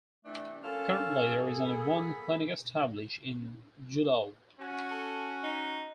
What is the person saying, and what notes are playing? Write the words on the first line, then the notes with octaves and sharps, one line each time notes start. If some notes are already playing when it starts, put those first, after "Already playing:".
Currently, there is only one clinic established in Julau.
C3 E3 A3 D4
F#3 A#3 C#4 F4 A4 A5 F6
G#4
B3 B5
C#4 F#4 G#5
A4
D#4